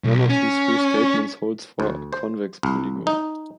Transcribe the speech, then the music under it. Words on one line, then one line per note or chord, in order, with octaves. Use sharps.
None of these three statements holds for a convex polygon.
B1
C#4
D2
C5
C2
D#4